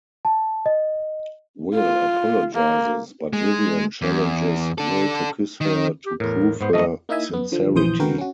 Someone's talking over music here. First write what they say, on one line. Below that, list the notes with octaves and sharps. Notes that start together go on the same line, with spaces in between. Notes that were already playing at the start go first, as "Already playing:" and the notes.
Wil apologizes, but Vivian challenges Wil to kiss her to prove her sincerity.
A5
D#5
F4
A#3
G#3
E2
D4 A4
D#3
G4
E2 A2 A#4
G#2 B3 C5
F#2 D#3 A3 D#5
A#3 D#4 E4 D#5 E5 G#5
F#2 B3
D3 F3
A#1 E2 E3 C5 D#6 G6
D#2 D3 B3 F#4 A#4 G5
C#4 F#4